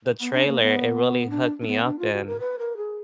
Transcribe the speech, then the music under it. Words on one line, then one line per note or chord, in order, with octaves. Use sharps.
the trailer, it really hooked me up, and
B3
D4
A#3
B3
D4
D4
B3
D4
F4
F#4
A#4
B4
A#4
G#4